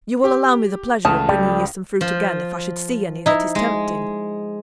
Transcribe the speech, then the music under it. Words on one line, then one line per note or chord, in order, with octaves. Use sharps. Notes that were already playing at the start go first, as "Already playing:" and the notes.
You will allow me the pleasure of bringing you some fruit again, if I should see any that is tempting.
G4
C#2 A3 A5 D#6 F6
G3
F3
D#4 E4
G#3